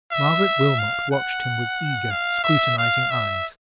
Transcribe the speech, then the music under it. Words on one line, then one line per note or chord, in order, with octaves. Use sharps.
Margaret Wilmot watched him with eager, scrutinizing eyes.
E5
F5
F#5
F5
E5
F5
E5